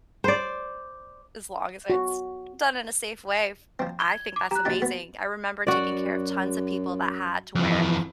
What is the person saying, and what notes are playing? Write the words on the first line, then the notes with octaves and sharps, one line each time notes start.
as long as it's done in a safe way. F I think that's amazing. I remember taking care of tons of people that had to wear
C5 D5
F#4
F3 C4
G#6 G7
D6
G4 A#5 F#6
A#1 D4 F#4 G4 A6
B3
F#2 F#4 D5
F2 E3